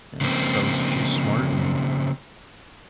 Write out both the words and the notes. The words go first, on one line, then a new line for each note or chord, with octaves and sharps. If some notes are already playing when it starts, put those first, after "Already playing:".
Yeah, that was she's smart and
C#3 F3 A#3 C4